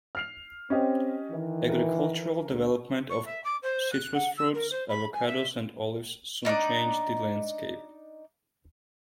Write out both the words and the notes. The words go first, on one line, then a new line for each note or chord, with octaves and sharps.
Agricultural development of citrus fruits, avocados and olives soon changed the landscape.
F6 C7 F7
C4 C#4 G4 D#5
D#3 E3
A#4
D2
C#6
E5
D6
C5
F#6
F#5
E6
A#4
C5
B5
G#5
E5
D4 D#4 A#4 D5